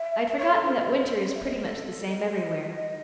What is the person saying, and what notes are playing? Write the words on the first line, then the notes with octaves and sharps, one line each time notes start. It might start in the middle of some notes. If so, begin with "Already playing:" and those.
I had forgotten that winter is pretty much the same everywhere.
Already playing: E5
C#5
A4
C5
C#5
C5
C#5
E5
D#5
C#5
A4
A4
D#5
D#5